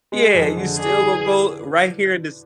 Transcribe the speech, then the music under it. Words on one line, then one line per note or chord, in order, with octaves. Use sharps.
Yeah, you still gone go right here in this"
G#3
F2
D3
D4 G#4
E3